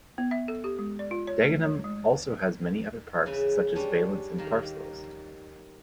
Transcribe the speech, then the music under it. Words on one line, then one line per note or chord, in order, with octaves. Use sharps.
Dagenham also has many other parks such as Valence and Parsloes.
B3
E5
A4
G4
G#3
D5
F4
C#5
A3
C#5
G#3
C#3 E3 G#5 B5
G3 C#4 D4
D#3 A#3